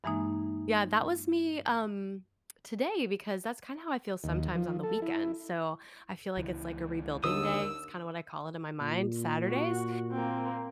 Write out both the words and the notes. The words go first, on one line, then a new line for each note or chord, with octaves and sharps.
Yeah, that was me, um, today because that's kinda how I feel sometimes on the weekends, so I feel like it's, like, a rebuilding day, it's kinda what I call it in my mind, Saturdays,
G2 E3 G#3 A#3 D#4
D#2
F3
A4
E4
C#2 E3
D#2 D3 C4 D4 D#6 E6
A#2
F#4
A#3 C4